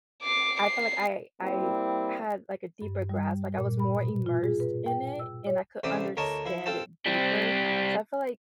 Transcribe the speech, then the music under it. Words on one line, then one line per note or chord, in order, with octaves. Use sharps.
I felt like I I had, like, a deeper grasp, like, I was more immersed in it, and I could understand it deeper. So I feel like
D6 C7
C7
G3 A#3 C4 E4
G2
G3
A#2
B5
B2
F4
G#4
B4
G5
E6
C#5
A1 C3 C5 D5 E5 D#6
D2 A#4 C#5 D#5 A5
F3 E4
C4 F4 A4 C5 A5
G3 C4